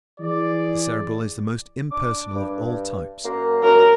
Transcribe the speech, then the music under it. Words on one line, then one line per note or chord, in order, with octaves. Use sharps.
The Cerebral is the most impersonal of all types.
E3 G#4 D5
D4 D6
G2
F#2 A#3
F#2 A#4